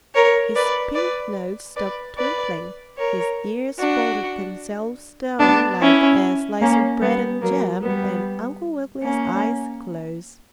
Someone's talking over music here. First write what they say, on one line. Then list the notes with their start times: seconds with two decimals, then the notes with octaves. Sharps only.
His pink nose stopped twinkling, his ears folded themselves down like a slice of bread and jam, and Uncle Wiggily's eyes closed.
0.14 A#4 C#5
0.55 B4 D5
0.95 B4 D5
1.76 B4 D5
2.16 B4 D5
2.97 A#4 C#5
3.78 D4 F#4
5.39 B3 D4
5.80 C#4 E4
6.60 A#3 C#4
7.01 G3 B3
7.41 F#3 A#3
7.82 G3 B3
9.02 A#3 C#4